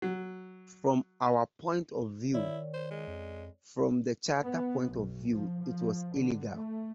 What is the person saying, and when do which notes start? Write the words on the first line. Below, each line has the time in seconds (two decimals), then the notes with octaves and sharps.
From our point of view, from the charter point of view, it was illegal.
0.02 F#3
2.34 D#3 E4 C#5 D5
2.74 C5
2.91 G#3
3.07 F2
4.43 B3
4.90 B1
5.32 F3
5.63 F3
6.13 D3
6.50 A3